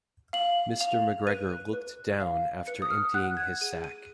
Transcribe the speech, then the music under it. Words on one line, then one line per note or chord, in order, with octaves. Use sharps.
Mr McGregor looked down after emptying his sack.
F5 F#7
F5 F7
B4 D#7
B4
F5
B4 C#7
D#6
F6
F#5 F#6
G#6
G#4 D#7
D#7